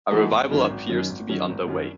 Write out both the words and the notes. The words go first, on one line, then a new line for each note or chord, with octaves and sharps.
A revival appears to be underway.
E3 A3 D#4 F#4
G#1
F#2 D#3 F#3 C#4
G#1
F#2 D#3 F#3 C#4
G#1
F#2 D#3 F#3 C#4
G#1
F#2 D#3 F#3 C#4